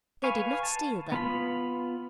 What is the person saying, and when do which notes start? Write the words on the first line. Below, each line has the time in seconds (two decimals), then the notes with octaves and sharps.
They did not steal them.
0.24 B4 F5 G#5 C#6
0.63 A5
1.12 B3 F4 B5